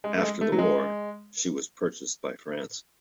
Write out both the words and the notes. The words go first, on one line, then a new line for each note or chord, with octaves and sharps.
After the war, she was purchased by France.
G#3
A3
G#3
A3
F#3
G#3